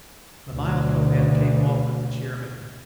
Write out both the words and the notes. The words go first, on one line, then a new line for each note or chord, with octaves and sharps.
The mild Kohen came often to cheer me.
D2 B2